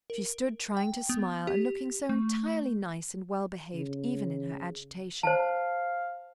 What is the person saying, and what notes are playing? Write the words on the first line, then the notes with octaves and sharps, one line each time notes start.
She stood trying to smile, and looking so entirely nice and well-behaved even in her agitation.
A#4
G5
B3
G4
A3
C#3
C5 F5 A5